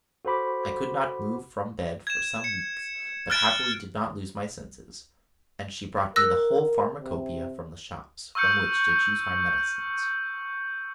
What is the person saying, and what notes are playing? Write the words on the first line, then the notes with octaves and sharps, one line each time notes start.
I could not move from bed for some weeks, but happily did not lose my senses, and she brought me the whole pharmacopoeia from the shops, from which to choose my medicines.
F#4 A4 C5 F#5 B5 D6
G#6 E7
C#7
F6 F#6 A6 D7 E7
A#4 E6 F#6 A#6
C3
C#6 E6 F6 G6 C#7